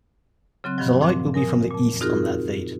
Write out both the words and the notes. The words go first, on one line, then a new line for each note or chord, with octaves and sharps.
The light will be from the East on that date.
C#3 F#3 C4 F#6
G2 D#3 F3 F#3
A#2 F3 C4
A#4 G#5 D#6
F2 A#2
C4 D#4 F4 F#4 G#4 A#4